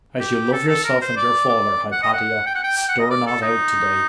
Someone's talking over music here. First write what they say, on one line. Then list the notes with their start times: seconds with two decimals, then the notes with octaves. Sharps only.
As you love yourself and your father, Hypatia, stir not out to-day.'
0.20 G4
0.53 A4
0.68 A4
0.84 A#4
1.01 C5
1.17 D5
1.49 D5
1.92 F#5
2.03 D#5
2.13 F#5
2.46 G5
2.55 F#5
2.63 G5
2.78 G5
2.89 F#5
2.99 D#5
3.10 D5
3.27 A4
3.42 D#4